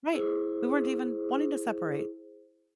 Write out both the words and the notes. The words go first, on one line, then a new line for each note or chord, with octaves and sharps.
Right. We weren't even wanting to separate.
E4 G#4 C5